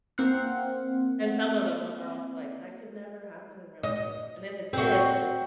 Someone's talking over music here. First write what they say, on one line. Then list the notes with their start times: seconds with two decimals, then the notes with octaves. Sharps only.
And some of them are also like, "That could never happen in real life." And if it did, like,
0.18 A#3 C4 C5 F5 F#5
3.83 D#5
4.73 C4 F#4